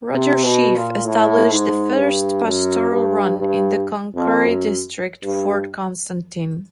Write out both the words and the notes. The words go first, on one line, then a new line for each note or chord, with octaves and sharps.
Roger Sheaffe established the first pastoral run in the Cloncurry district - "Fort Constantine".
C3
B2
A#2
A2
G#2
G2
F#2
G2
G2
F2
F#2
G2